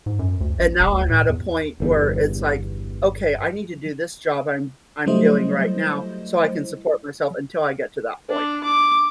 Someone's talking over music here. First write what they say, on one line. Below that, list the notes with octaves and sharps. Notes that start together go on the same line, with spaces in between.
and now I'm at a point where it's, like, okay, I need to do this job I'm I'm doing right now, so, I can support myself until I get to that point.
G#2
F#2
D2
A1
E1
D2
A2
E2
G1 E2 G2
F#3 G3 A3 E4 C5 D#5
D4
D6